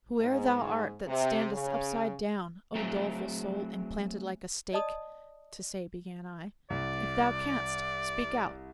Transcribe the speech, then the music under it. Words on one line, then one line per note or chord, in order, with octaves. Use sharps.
"Whoe'er thou art, that standest upside down, O doleful soul, implanted like a stake," To say began I, "if thou canst, speak out."
G#2
C3
C#3
F#3 A3 C4 G#4 E5 A#5
D5 D#5 A5 D#6
C2 D5